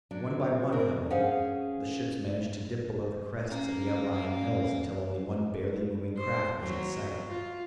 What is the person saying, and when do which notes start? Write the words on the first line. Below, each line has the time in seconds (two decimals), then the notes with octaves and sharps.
One by one, however, the ships managed to dip below the crests of the outlying hills until only one barely moving craft was in sight.
0.11 F#3 D4
0.72 C4 D4 A#4
1.10 C#4 G#4 C5 F5 F#5
3.51 C#4 F5 A#5
6.18 C5
6.60 F#3
7.27 F4